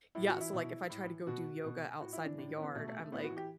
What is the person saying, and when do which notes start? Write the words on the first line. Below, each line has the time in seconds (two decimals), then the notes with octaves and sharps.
yeah, so like, if I try to go do yoga outside in the yard, I'm, like,
0.15 A2 E4
0.28 F#4
0.34 E3
0.41 E4
0.53 B2
0.90 A2
1.07 E3
1.27 B2 F#4
1.64 B2
2.01 A2 F#4
2.13 E4
2.19 E3
2.25 D4
2.38 A2 D4
2.56 E3 C#4
2.62 B3
2.75 B2 A3
2.88 A3
2.99 A3
3.12 A2 B3
3.24 F#4
3.30 E3
3.37 G4